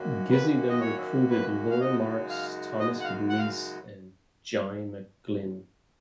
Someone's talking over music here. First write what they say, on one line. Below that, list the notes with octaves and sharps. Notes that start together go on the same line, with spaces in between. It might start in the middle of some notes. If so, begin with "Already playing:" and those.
Gizzi then recruited Laura Marks, Thomas McNeice and Johnny McGlynn.
Already playing: F#2 D#3 A#3 C#4 F#4
B4
D#5
C#5
B4
F5
F#2 C#3 G#3 D#4 F#4 D#5
F5
D#5
F#5
F5
F#5
F5